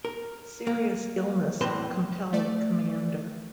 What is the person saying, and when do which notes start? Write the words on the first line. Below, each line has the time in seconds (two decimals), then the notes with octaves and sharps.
Serious illness compelled Comdr.
0.05 A#4
0.67 A#3
1.61 E2 A2 C4 B4 A5 C6
2.33 A3 D5